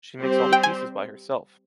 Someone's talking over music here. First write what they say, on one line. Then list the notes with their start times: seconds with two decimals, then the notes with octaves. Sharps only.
She makes all the pieces by herself.
0.19 G3 C4 G4 C5
0.53 G5
0.63 G#5